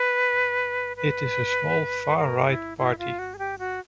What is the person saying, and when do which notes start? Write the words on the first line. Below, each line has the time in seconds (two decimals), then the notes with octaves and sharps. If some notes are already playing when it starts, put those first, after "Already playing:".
It is a small far-right party.
Already playing: B4
0.97 B4
2.18 A#4
2.48 E4
2.78 E4
2.98 F4
3.19 F#4
3.34 G#4
3.39 G4
3.59 F#4